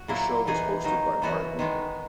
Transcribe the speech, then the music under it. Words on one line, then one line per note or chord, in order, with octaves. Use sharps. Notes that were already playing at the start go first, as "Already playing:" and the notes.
The show was hosted by Marc Weiner.
Already playing: F#4
A#2 F#3 A#3 E4
E3 B3 D#4 G#4
D#3 F#3 A#3 D#4
C#3 E3 B3 F#4
D#3 G#3 B3